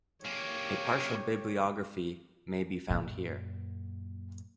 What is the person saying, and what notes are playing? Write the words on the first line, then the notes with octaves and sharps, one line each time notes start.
A partial bibliography may be found here.
A#3 G4 G#4 C#5
F#2 A#2